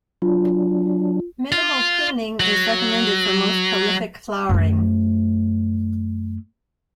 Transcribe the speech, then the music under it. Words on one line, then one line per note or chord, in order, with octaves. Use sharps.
Minimal pruning is recommended for most prolific flowering.
F#3 D4 F4
F4
F#3
F#2 A3